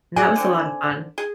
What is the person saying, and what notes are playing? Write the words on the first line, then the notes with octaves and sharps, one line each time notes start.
and that was a lot of fun.
G#4 D5 F#5 G#5
D3 C4
G#4